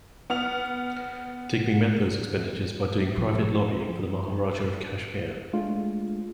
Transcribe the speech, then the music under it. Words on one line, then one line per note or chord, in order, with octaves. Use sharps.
Digby met those expenditures by doing private lobbying for the Maharaja of Kashmir.
B3 F6 F7
A1
F3
G#3 A3 D4 F4